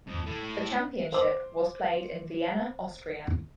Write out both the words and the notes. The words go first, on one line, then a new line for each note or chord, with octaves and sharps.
The Championship was played in Vienna, Austria.
F2
A3 E4
C5 D6